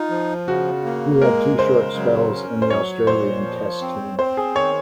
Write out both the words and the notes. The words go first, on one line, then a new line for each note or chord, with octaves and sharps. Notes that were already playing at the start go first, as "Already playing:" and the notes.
He had two short spells in the Australian Test team.
Already playing: D#4 F4
F3
C#3 F#4
A#3
G#3 A#4
C#3 C5
F#3
C#4
C5
F#3 C#5
A#2 C5
F3
C4
C4 C5
G#4
D#3 C#5